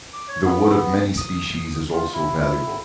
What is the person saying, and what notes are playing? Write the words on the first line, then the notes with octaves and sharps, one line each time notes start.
The wood of many species is also valuable.
D6
C#5
B3
D#6
F4
E4
E4